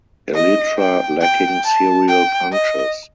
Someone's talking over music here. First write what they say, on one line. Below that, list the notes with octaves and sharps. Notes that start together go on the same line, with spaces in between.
Elytra lacking serial punctures.
D#5
G5
G5
A5
G5
D#5